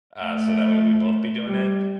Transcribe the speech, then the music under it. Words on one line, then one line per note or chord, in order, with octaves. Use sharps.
uh, so that way we'd both be doing it,
A3
G3